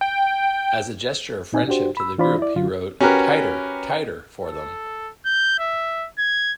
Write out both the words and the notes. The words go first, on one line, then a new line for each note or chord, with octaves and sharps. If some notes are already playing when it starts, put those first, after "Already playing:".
As a gesture of friendship to the group he wrote "Tighter, Tighter" for them.
G5
A#2 C4 D#4 G#5
D4 F#4 G4 C5
B5 E6
E3 D4 F4 C5 D5 B5
E4 D5
D3 F#3 F4
C#4 F#4 G4 A#4 B4
A4
G6
E5
G#6